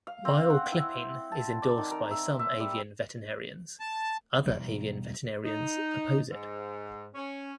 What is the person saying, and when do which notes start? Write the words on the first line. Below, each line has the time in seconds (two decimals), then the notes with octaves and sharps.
While clipping is endorsed by some avian veterinarians, other avian veterinarians oppose it.
0.07 F5
0.25 C4
0.50 F#5
0.72 E4
1.32 A5
1.62 D5
1.78 D#3
1.91 A#4
2.11 E5
2.39 E5
2.60 G3
3.80 A5
4.46 E1 B1 E3 G3
5.44 D#4
6.30 G#2
7.14 C#4